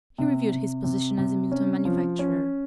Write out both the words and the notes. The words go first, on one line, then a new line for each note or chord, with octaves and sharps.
He reviewed his position as a Milton manufacturer.
C3
C3
C3
C3
C#4
F3
C#4